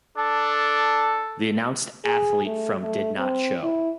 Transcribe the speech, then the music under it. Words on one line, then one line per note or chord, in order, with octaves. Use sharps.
The announced athlete from did not show.
D4 A4
G#4
A3
A3
C4
E4